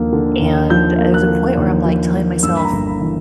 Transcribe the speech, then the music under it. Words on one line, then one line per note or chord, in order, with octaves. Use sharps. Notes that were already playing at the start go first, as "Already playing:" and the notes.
and there's a point where I'm, like, telling myself,
Already playing: D#2 D3 F3 A#3
D3
D#2
F3 G6
A#3
F#6
D3
D#2
F3
A#3
G2 E6
B5
A#5
G1
B5
E3